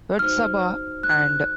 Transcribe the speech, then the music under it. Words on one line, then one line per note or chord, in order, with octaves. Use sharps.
Yotsuba and !
D#4 F#4 C5 F6
F#6